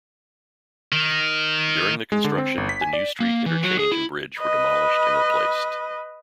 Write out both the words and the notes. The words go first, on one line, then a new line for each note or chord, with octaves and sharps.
During the construction, the New Street interchange and bridge were demolished and replaced.
D#3
G#3
D3
C4
G1
B6
G#5
D5
A#3
E3
F#3
G#4
E4
B4 D#5